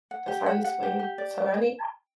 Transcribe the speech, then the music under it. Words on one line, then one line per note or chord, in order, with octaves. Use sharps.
That's how you swing, so, I need
F#5
G4
F#5
F#5
G4
G4
D5